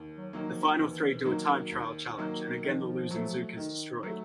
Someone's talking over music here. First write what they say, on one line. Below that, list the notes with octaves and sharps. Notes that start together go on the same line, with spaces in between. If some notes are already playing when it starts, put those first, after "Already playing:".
The final three do a time-trial challenge, and again the losing zook is destroyed.
Already playing: D#2
F#3
D#3 F#3 A#3
F3
D#2 E3
D#3 F#3 A#3
D#2
D#3 F#3 A#3
D#3 F3
F#3 A3
D#3
F#3 A3